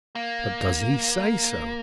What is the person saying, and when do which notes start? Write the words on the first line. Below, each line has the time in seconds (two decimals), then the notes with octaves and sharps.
"But does he say so?"
0.15 A#3